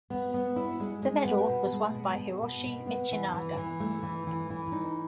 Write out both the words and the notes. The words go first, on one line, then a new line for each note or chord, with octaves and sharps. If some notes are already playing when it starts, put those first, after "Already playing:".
The medal was won by Hiroshi Michinaga.
B3
B3
E4
G#3
G#3
B3
B2
G#3
B2
B2
B2
B2
B3
E3
E3
E3
A3
E3
E3
E3
D#4